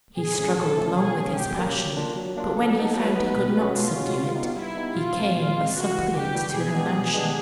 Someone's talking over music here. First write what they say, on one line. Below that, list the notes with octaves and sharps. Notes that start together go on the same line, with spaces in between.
He struggled long with his passion, but when he found he could not subdue it, he came a suppliant to her mansion.
A#2 G#4
F3 A3 C#4
A#2 A4
F3 A3 C#4
B2 G#4
G3 A#3 C#4
B2 G4
G3 A#3 C#4
F#3
A#3 D4 F4
F#3
A#3 D4 F4
F#3 A4
B3 D#4
F#3 B4
B3 D#4
B2
G#3 C#4 F#4
B2 F4
G#3 C#4 F#4
G3
B3 D#4 G4
G3 E4
B3 D#4 G4
A#2 F4
F3 G#3 C4
A#2 F4
F3 G#3 C4
C#3 F#4
E3 G3
C#3 G4
E3 G3
B2 G#4
G#3 B3 D4 G4
B2
G#3 B3 D4 G4